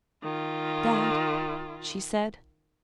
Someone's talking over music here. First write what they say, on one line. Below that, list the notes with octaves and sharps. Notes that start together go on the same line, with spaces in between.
"Dad!" she said.
D#3 F4